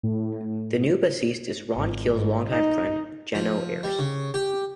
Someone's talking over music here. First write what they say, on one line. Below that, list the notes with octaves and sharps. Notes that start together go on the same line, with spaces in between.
The new bassist is Ron Keel's longtime friend, Geno Arce.
A2
G#1
G#2
D#4
F3
G3
C#3
G4